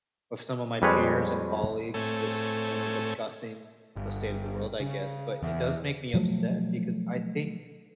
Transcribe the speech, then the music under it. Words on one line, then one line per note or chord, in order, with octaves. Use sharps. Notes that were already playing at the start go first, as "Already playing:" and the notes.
with some of my peers and colleagues just when we're discussing the state of the world, I guess, but it does make me upset because I think
F2 G3 G#3 B4 C#5
A2 A3 C4 A4 C#5 G#5
G1
C#3
E2
B2 F3 F#3 A3